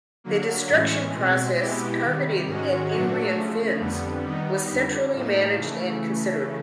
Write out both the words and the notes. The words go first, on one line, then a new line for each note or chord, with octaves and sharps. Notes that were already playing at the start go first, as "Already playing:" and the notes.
The destruction process targeted at Ingrian Finns was centrally managed and considered.
D3 F#3 A#3
A2 E3 G#3 C#4
B2 G#3 C4
B2 G#3 B3 E4 G4
C3 D#3 G3
G#2 D#3 G#3 C#4 F#4
A#2 F#3 A3 D4 F#4
C#3 F3 A3
F2 D3 G3 B3
D#3 G3 B3 D#4
F2 D3 G3
A2 F3 A#3 D#4
C#3 E3 A3